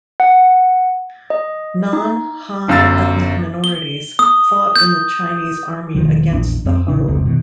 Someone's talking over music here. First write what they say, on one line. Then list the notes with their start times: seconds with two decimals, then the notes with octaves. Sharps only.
Non-Han ethnic minorities fought in the Chinese army against the Ho.
0.20 F#5
1.30 D#5
1.93 D#4
2.68 G1 F#2 F5 E6 A6
3.64 G7
4.19 D#6
4.76 G6
5.95 E1 C#2 D#3 F3
6.31 A#1 E2 D4
6.65 F2 A#3 C4
6.88 A1 C#3 D4
7.08 F1 C#2 C3
7.25 B2 D#3